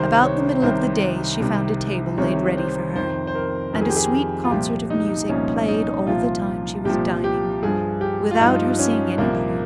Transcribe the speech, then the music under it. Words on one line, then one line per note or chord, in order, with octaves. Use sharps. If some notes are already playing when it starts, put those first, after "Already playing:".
About the middle of the day she found a table laid ready for her, and a sweet concert of music played all the time she was dining, without her seeing anybody.
Already playing: C2 C3 D#3 C5
C#5
C2 C3 D#3 C5
C2 C3 D#3
C2 C3 D#3 C#5
C5
F2 D#3 C5
C5
A#4
F2 D#3 A#4
G#4
G4
G#4
F4
C2 A#2 F3 G4
D#4
C2 A#2 F3 C#4
D#4
C2 A#2 F3 F4
C2 A#2 F3 G4
G4
G2 F3 G#4
G4
F4
G2 F3 D#4
C#4
C2 A#2 F3 A#3